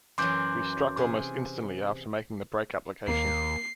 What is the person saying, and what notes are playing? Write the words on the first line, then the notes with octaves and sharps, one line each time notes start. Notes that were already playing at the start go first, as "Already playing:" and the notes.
We struck almost instantly after making the brake application.
F#2 E3 F#3 C6 D6 G6
C3 G#4
D#2 A#3 C7